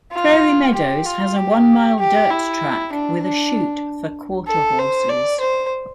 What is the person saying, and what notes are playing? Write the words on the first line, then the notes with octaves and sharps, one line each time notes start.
Prairie Meadows has a one-mile dirt track with a chute for quarter horses.
F4
G4
F4
G4
G4
E4
D4
D4
A4
C5
D5
C5